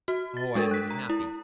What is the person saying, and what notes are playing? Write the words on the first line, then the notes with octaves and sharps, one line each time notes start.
Oh, I am unhappy!
F#4
A6
G#3 D4 A4 A#4
F#6 B6
A#5
E4